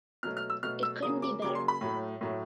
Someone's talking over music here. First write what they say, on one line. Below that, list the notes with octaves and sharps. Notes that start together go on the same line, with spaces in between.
It couldn’t be better.
B2 F#3 A3 F6
F6
E6
B2 F#3 A3 F6
E6
C#3 F#3 A#3 D#6
D6
C#3 F#3 A#3 D6
C6
B5
A2 F#3 A3
A2 F#3 A3